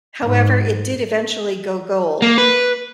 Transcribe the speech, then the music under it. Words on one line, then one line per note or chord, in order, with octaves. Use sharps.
However, it did eventually go gold.
G#2
A#3
B4